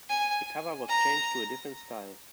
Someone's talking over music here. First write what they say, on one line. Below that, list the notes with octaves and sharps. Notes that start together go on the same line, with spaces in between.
The cover was changed to a different style.
G#5
A#5